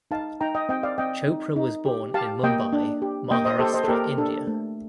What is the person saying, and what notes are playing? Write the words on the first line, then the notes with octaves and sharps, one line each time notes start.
Chopra was born in Mumbai Maharashtra India.
D#4 F5 A5
D#4 G5 A#5
D#5 G5
C4 D#5 G5
D5 F5
C4 D#5 G5
D#4
D#4
G4
G4 F5 A5
A#3 D#5 G5
D4
G4
A#3 D#5 G5
C5 D#5
G4 A4 C5
C5 D#5
A4
A#3 G4 A#4
D4 A4
A3